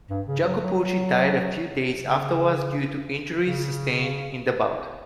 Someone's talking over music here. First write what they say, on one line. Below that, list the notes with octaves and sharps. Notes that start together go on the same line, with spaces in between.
Jacopucci died a few days afterwards, due to injuries sustained in the bout.
G2
C#3
F#3
F#3
C#3
C#3